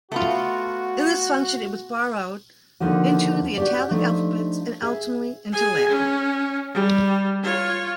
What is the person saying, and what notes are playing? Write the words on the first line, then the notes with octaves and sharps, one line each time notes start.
In this function, it was borrowed into the Italic alphabets and ultimately into Latin.
A3 B3 F4 F#4
D#2 D3 F3 D#4 F#4
F#4 G4 D5
F3 A3 D4 D#4
G#4 E5
G#4 G#5
C#4
G3
F4 C#5